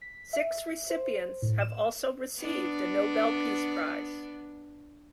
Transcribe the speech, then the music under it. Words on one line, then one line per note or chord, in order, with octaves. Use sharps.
Six recipients have also received a Nobel Peace Prize.
B6
E5
E5
C5
A2
E7
B3 D4